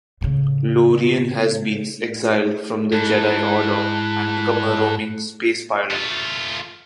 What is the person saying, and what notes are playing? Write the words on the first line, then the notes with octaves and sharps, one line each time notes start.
Lorian has been exiled from the Jedi Order and become a roaming space-pirate.
A2 C#3
G#2 E4 A5 F#6
A3 F4